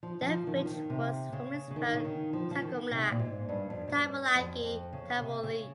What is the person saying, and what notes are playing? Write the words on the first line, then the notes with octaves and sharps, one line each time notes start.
The village was formerly spelt Tagumlag, Tymulagy, Tymoleague.
F3
F3
D#3
F3
D#3
C3
C#3
C#3
D#3
C#3
D#3
F3
F3
D#3
C3
A#2
G#2
G2
F2
G#2
G2
F2
F2
C#3
C3
C#3